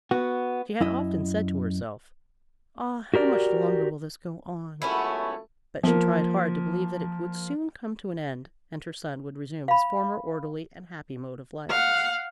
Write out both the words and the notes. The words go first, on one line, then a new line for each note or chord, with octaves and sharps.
She had often said to herself, "Ah! how much longer will this go on?" but she tried hard to believe that it would soon come to an end, and her son would resume his former orderly and happy mode of life.
B3 F#4
F#2 E4 D#5
F#4 G4 A#4 D5
C#2 F#2 A3 B3 C#4 E4
F3 A#3
F5 B5
F5 F#5